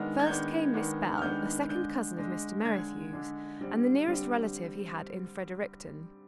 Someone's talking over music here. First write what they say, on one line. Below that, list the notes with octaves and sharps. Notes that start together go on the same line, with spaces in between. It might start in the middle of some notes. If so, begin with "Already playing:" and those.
First came Miss Bell, a second cousin of Mr. Merrithew's, and the nearest relative he had in Fredericton.
Already playing: D#3 G#3 B3 D4 F6
G#6
D#3 G#3 B3 D4 G6
D#3 G#3 B3 D4
F6
D#3 G#3 B3 D4 G6
D3 G#3 D4 G6
D3 G#3 D4
D3 G#3 D4 G#6
D3 G#3 D4
D3 G3 C4
D3 G3 C4